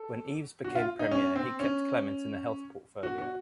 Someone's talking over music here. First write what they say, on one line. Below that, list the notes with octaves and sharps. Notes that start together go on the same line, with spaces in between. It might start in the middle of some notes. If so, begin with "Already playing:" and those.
When Eves became Premier, he kept Clement in the Health portfolio.
Already playing: A4
F#4
F4
D#4
C#4
C4
C#4
F#4
F#4